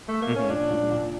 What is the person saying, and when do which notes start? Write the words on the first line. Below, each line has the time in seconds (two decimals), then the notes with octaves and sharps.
Mhm, mhm.
0.08 A3
0.22 A#3
0.36 C#4
0.49 A#2 D4
0.70 A#2
0.90 A#2